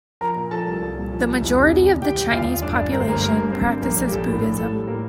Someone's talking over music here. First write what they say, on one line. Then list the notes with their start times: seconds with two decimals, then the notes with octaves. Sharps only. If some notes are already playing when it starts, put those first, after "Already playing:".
The majority of the Chinese population practises Buddhism.
0.21 F3 A#4 A#5
0.36 A#2
0.51 F3 A4 A5
0.67 C2
0.82 C2
0.97 A#2
1.11 F3
1.26 C2
1.41 E1
1.57 C3
1.72 E1
1.87 E1
2.02 E1 G4 G5
2.17 E1
2.32 E1 F4 F5
2.47 E1
2.62 G1 D4 D5
2.77 G1
2.92 G1 A#4
3.00 C5
3.07 G1 A#3 A#4
3.21 G2 A#3 A#4
3.37 G2
3.52 G1 C4 C5
3.67 G2
3.82 A#1 A#3 A#4
3.97 A#1
4.07 G4
4.12 A#1 A4
4.27 A2
4.42 A#1 A4
4.58 A2 A4
4.72 G3 A4
4.87 A2 A#3 A#4